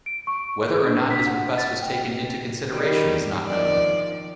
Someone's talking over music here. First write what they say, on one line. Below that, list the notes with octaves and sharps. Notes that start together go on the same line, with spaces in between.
Whether or not his request was taken into consideration is not known.
D7
C#6
G#4
D4
B6
F#5
A6
G5
D#3 G3
D#3 F3 D5